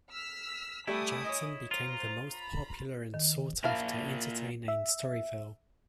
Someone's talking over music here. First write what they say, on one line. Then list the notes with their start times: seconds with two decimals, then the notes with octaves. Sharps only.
Jackson became the most popular and sought after entertainer in Storyville.
0.12 E6 F6 B6
0.87 G3 A3 E4 G#5 D6 D#6
1.24 C#5 D#5
1.71 F4 C5 A#5
2.31 A#5 B5
3.14 D#3
3.64 A#2 A#3 E4 F5 A5
4.68 E5